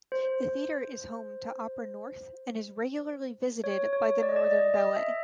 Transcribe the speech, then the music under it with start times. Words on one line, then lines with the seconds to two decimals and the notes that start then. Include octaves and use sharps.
The theatre is home to Opera North and is regularly visited by Northern Ballet.
0.12 C5
3.64 C#5
3.93 C#5
4.23 D5
4.29 D#5
4.36 D5
4.51 D#5
4.74 D#5
4.96 E5